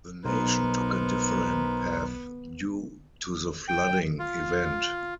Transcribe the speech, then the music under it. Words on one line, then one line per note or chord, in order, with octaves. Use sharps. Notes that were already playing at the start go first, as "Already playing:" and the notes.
The nation took a different path due to the flooding event.
B1 B3 D#4 A#4 C5
G5
F4